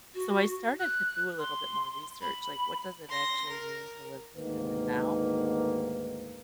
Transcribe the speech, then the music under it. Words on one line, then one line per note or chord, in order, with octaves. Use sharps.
So, I started to do a little bit more research, like, what does it actually mean to live in the now?
F#4
F#6
C6
B5
C6 A#6
A#4
D2 G#2 D#3 A#3 B4